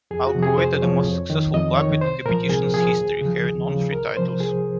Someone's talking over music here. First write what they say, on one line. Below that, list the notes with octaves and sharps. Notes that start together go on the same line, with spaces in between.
Al-Kuwait are the most successful club in the competition's history, having won three titles.
F2 G#4
F#4
C3 F3
G#4
F2 C5
C3 F3 C#5
F2
D#3
F2 D#5
D#3 C#5
C2 C5
A#2 F3 A#4
C2 G#4
A#2 F3 G#4
D#2
C#3 F3
D#2
C#3 F3
C2 A#4
C3 F3 C5
C2 G#4